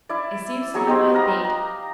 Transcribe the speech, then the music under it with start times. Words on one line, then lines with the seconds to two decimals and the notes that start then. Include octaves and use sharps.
It seems to be my fate.
0.09 E4 D5
0.74 F#3 G#4 A#5 C#6
0.87 C4 D#4 G4
1.12 B3 F5 A#5
1.45 A#5